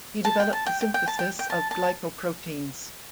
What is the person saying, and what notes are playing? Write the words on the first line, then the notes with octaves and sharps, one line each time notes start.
He developed the synthesis of glycoproteins.
A5
G5
A5
G5
G5
G5
A5
G5
G5
A5
A5